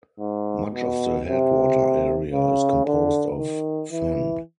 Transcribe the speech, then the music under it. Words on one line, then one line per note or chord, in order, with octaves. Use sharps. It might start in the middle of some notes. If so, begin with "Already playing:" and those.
Much of the headwater area is composed of fen.
G#2
B2
C3
C#3
D3
D#3
E3